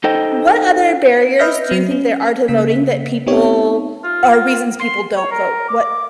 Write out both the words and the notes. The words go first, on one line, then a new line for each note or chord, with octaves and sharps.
W what other barriers do you think there are to voting that people or reasons people don't vote? What
D#4 A4 C5 D#5 G5
B4 D#5 E5 F6 G6 A#6
F#3
C#4
C#3 A#3 B6
B3 C4 D#4 G4 C#5
F4
C6
C#5
A#4
D6